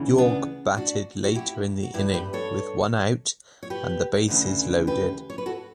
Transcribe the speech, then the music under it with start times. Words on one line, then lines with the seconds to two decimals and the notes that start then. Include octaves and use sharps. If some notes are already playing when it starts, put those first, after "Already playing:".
Iorg batted later in the inning with one out and the bases loaded.
Already playing: D2 C#3 E3
0.18 B3 D4
0.77 D4 F#4
1.24 F#4
1.36 E4 G4
1.83 F#4
1.94 G2 E3 E4 G4
2.13 G4 B4
2.33 A4 C#5
3.63 C#5
3.70 G4 B4
4.28 D2 C#3 E3
4.87 G4 B4
5.30 C#5
5.38 B4
5.46 F#4 A4